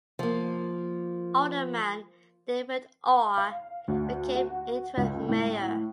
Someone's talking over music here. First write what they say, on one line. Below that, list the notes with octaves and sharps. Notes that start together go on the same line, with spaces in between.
Alderman David Orr became interim Mayor.
F3 A#3
F5
D2
F#4
C#2
A2